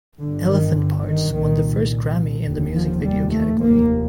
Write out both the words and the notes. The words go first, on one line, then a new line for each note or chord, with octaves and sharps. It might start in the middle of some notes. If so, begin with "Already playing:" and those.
"Elephant Parts" won the first Grammy in the Music Video category.
G1 G2 D3
D#3
D3
D#3
C2 A#2 D#3
F1 D#2
F3
G3
A3
F1 D#2 A#3